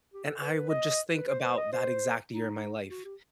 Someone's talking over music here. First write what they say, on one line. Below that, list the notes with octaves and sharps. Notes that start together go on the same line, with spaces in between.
And I would just think about that exact year in my life
G4
A4
B4
B4
D#5
B4
C5
C5
D#5
C5
D#4
F#4
G4